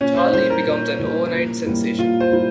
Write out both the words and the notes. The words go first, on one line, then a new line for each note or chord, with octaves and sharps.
Charlie becomes an overnight sensation.
A#2 C#4
C5
G3 A#3 E4 C5
A#4
A#2
G3 A#3 E4
A#2
G3 A#3 E4
A#2 F4
C5
G3 A#3 E4